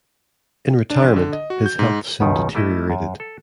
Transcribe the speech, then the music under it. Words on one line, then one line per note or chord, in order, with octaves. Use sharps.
In retirement, his health soon deteriorated.
D4
A#1
D3
D#5
F#4
G6
G#2
C#2 F#2 B2 D#3
G3 A3 E4 D#5
F#2
A4